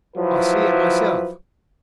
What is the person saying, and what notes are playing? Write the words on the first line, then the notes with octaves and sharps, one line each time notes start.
"I see it myself."
F3 F#3 E4 B4